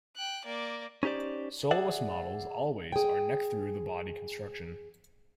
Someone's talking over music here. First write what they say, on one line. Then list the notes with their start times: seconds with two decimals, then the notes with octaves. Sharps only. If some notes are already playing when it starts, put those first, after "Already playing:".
Soloist models always are neck-thru the body construction.
0.16 G5 F#6
0.45 A#3 D5
1.03 C#4 D#4 G4 C5 D5
1.71 G#4 D5 E5 F#5
2.92 G#4 G5